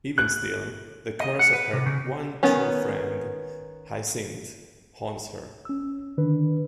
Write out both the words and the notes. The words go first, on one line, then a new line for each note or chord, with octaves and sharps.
Even still, the curse of her one true friend, Hyacinthe, haunts her.
F#6
D#5
F#5
B4
C3
C#3
D#3 B3 C#4
C#4 E6
D3 D#3 D4 B4